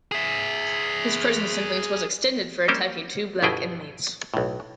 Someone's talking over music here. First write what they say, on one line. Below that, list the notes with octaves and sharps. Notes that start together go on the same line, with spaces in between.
His prison sentence was extended for attacking two black inmates.
G#4 E5
G3 A#3 C4 C#4 G4 C5
G1 B2 E4 G#4 G5
B1 A2